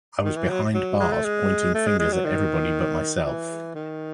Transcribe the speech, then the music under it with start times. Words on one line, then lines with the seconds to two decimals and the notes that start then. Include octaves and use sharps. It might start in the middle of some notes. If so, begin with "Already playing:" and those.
I was behind bars, pointing fingers at everybody but myself.
0.24 D#3
0.36 E3
0.50 F#3
0.74 F#3
1.00 G#3
1.12 A3
1.25 G#3
1.74 A3
1.87 G#3
1.99 G#3
2.12 F#3
2.25 D#3
3.25 E3
3.75 D#3